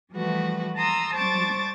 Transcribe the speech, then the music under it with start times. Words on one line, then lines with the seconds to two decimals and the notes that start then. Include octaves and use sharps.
I mean,
0.12 E3 F3 G3 A3 F#4 B4
0.77 A5 A#5 C6 D#6 E6
1.13 G3 C5 A5 C#6 D6 A6